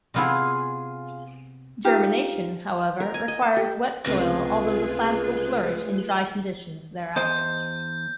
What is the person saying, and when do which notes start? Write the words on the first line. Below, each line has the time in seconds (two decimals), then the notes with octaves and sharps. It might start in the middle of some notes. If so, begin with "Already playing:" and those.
Germination, however, requires wet soil although the plants will flourish in dry conditions thereafter.
0.14 C3 B3 D4 E4 F4 G#4
1.85 D#4 F4 G4
3.00 A#4
3.14 G#5
3.28 D#5
3.42 A5
3.57 G4
4.05 C#2 C3 A3 F4 G#4 B4 A#6
7.16 E2 C5 D#5 G6